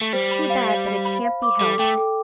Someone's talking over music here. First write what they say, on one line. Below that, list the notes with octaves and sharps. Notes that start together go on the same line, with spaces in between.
It's too bad, but it can't be helped.
A3
G3 C5
B5
F5
F5
B5
B5
F5
D6
G3 A4
A3 G5
A4